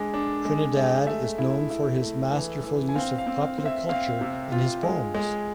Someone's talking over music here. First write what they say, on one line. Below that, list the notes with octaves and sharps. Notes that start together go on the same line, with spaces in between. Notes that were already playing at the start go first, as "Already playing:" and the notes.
Trinidad is known for his masterful use of popular culture in his poems.
Already playing: G#3 D4
D4
G#3
G#3
A3 E5
E4
E4
A3
E3
E3
G#5
C4 F5
F5
C4
F5
C4
E5
C4 F5
C3
F4
G#3
G#3